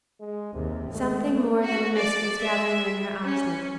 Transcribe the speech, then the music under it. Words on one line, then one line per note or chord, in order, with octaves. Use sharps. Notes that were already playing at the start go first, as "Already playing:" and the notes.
Something more than a mist was gathering in her eyes now.
G#3
D#2 C3
G#3 A3
F#4
D5
E5
C#4